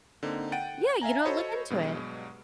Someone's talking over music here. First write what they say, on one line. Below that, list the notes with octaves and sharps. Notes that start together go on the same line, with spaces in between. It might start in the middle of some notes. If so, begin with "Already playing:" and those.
Yeah, you know, look into it.
D3 A#3 C4 D#4
F#5 G5 A6 D7 D#7
E5 F5 G#5 A#5
F#4 A4 C5 C#5 D#5 B5
G2 B2 F#3 G#3